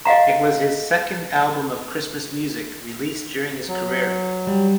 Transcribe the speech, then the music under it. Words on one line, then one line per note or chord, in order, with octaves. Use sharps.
It was his second album of Christmas music released during his career.
D#5 F5 F#5 A#5
F#3
G3